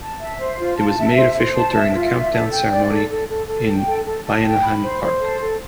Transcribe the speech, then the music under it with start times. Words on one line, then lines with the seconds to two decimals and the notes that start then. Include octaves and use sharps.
It was made official during the countdown ceremony in Bayanihan Park.
0.01 A5
0.19 E5
0.39 C5
0.58 F4
0.77 A5
0.97 E5
1.16 C5
1.36 C5
1.55 A5
1.74 E5
1.94 F4
2.12 E5
2.31 A4
2.51 G5
2.70 D5
2.89 A4
3.09 A4
3.28 A4
3.47 A4
3.67 G5
3.85 A4
4.05 A4
4.24 A4
4.44 G5
4.63 B5
4.82 C5
5.01 C5
5.20 A4
5.40 A4